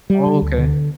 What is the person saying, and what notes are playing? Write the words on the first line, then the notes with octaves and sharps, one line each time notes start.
Oh, okay.
G3
D3
D2
D3